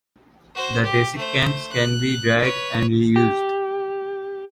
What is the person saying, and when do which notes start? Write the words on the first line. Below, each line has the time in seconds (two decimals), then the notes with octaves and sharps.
The desiccants can be dried and reused.
0.55 F#4 C5
0.83 G4
1.16 A3 C5
1.72 F#6
2.39 B4 C#5
3.16 G4